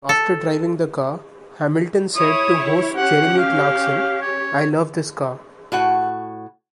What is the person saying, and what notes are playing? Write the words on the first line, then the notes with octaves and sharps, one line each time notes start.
After driving the car, Hamilton said to host Jeremy Clarkson I love this car.
A4
E4 C#5 D#6
C#4 G4 F#5
F5
C#5
A2 F#4 F#5